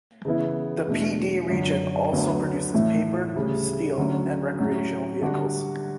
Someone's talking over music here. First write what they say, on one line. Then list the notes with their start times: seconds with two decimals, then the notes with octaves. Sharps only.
The Pee Dee Region also produces paper, steel, and recreational vehicles.
0.25 C#3 E3 B3 E4
0.87 E2 B2 A3 D4
1.49 F#2 D3 F#3
2.12 D2 D3 F#3 B3
2.74 A2 E3 A3
3.35 D2 C#3 G3
3.98 D2 D3 F#3 C#4
4.59 A2 F#3 C#4
5.22 D3 G3 D4 F#4